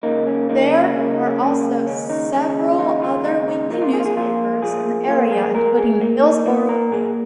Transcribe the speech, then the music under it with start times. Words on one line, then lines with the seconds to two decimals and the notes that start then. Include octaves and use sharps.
There are also several other weekly newspapers in the area including the "Hillsboro Banner".
0.03 C#2 C#3 A#3 D#4
0.27 C#4
0.49 C#2 C#3 A#3 D#4
0.73 C#4
0.96 C#2 C#3 A#3 C#4
1.10 D#4
1.26 C#4
1.41 C#2 C#3 A#3 C#4
1.87 D#2 C#3 G#3 C#4
2.09 D#4
2.32 D#2 C#3 G#3 C#4
2.79 D#2 C#3 G#3 D#4
3.02 F4
3.24 D#2 C#3 G#3 D#4
3.48 D#4
3.70 A#2 F3 A#3 D#4
3.82 F4
3.93 G#4
4.00 F4
4.05 G#4
4.16 A#2 F3 A#3 F4
4.62 A#2 F3 A#3 G#4
5.08 A#2 F3 A#3 F4
5.32 G#4
5.54 A#2 A#3 A#4
5.77 G#4
6.01 A#2 A#3
6.23 D#4
6.45 A#2 A#3 F4
6.69 A#4
6.91 A#2 A#3 G#4